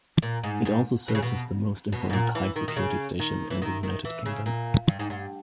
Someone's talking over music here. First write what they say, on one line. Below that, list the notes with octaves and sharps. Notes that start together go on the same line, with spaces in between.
It also serves as the most important high-security station in the United Kingdom.
A#2
G#2
G#2
B2
C#3
B2
B2
G#2
A#2
E3
D#3
D#3
C#3
D#3
E3
D#3
D#3
E3
C#3
A#2
G2
G#2
G2